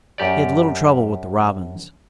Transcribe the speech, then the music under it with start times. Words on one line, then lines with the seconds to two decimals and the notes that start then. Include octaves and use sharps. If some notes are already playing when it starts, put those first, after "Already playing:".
He had little trouble with the robins.
0.18 F#2 G4 D5